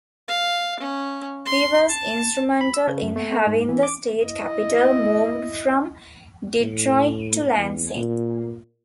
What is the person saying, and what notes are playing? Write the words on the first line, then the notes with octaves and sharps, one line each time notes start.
He was instrumental in having the state capitol moved from Detroit to Lansing.
F5
C#4
C6
A5
B5
E6
C#3
F#2
A3
A3
G#2
E3
D6
E4 D#5
A2
E2
A#2